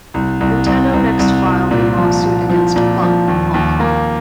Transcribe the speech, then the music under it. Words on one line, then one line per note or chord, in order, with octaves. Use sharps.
Nintendo next filed a lawsuit against Bung in Hong Kong.
C2
C2
C2
C2
C2
C2
A#2
F3
A#2
F3
A#2
F3
D#2
D#2
A#3